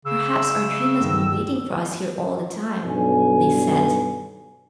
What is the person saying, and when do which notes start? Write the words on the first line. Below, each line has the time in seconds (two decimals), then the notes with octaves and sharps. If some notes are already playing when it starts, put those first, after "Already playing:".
"Perhaps our dream has been waiting for us here all the time," they said.
0.05 C#3 E6
0.35 E5
1.00 D2 G2 D#3
2.84 B1 G2 G#5